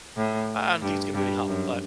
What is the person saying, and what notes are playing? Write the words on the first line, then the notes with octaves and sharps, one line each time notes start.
I I don't think it's gonna really help. But
A2
G2
G2
F#2